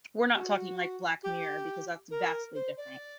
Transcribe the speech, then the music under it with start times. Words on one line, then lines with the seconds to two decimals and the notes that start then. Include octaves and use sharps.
we're not talking, like, Black Mirror. because that's vastly different,
0.35 G4
0.38 F#4
1.23 G4
2.11 A#4
2.55 C5
2.77 D5